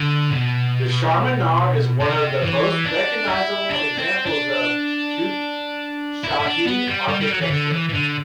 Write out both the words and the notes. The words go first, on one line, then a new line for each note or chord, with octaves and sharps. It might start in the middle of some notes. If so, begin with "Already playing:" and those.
The Charminar is one of the most recognizable examples of Qutb Shahi architecture.
Already playing: D3
B2
C3
E3
D4
E4
D4
C4
D4
E4
E4
D4
B3
G3
G3
G3
F#3
E3
D3
E3
E3
D3